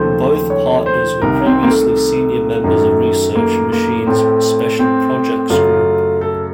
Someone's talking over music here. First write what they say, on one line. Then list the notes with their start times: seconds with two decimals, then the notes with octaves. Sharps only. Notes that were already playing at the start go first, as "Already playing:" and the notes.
Both partners were previously senior members of Research Machine's Special Projects Group.
Already playing: D#2 C#3 F3 A3 C5
0.50 C#5
0.86 C5
1.22 C2 C3 D#3 A#4
1.40 C#4
1.46 C4
1.63 A#3
1.70 A3
2.64 F#2 D#3 A3
3.35 A#3
3.72 A#3
4.07 A2 A3 C4
4.79 C4
5.50 F#2 C#3 A3 F4
6.21 A4